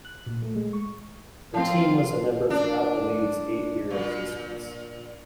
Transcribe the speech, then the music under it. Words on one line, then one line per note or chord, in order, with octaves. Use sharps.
The team was a member throughout the league's eight-year existence.
F#6
A#2
A3
G#3
C#6
F3 C4 F4 F5
D4
A#2